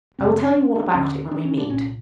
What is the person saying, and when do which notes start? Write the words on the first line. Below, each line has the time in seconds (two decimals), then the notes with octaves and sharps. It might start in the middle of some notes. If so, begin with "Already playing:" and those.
I will tell you all about it when we meet.
0.19 F#2 C#3 C4
0.57 C#4
0.76 D4
0.94 D#2 D3 C#4
1.31 D4
1.45 C#4
1.58 D4
1.70 C2 A#2 C#4